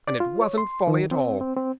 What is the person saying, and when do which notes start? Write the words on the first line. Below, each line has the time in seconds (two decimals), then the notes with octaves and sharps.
And it wasn't folly at all!
0.08 D5
0.20 F4
0.41 C#5
0.58 C6
0.87 D#3
1.11 C4
1.41 C4
1.57 C4